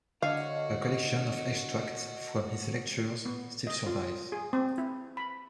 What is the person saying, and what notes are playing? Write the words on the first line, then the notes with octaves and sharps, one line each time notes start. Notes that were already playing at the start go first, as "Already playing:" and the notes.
A collection of extracts from his lectures still survives.
D3 F#4 C#5 D#5 F5
B3
D#5
F4
G#4
C4
E4
B5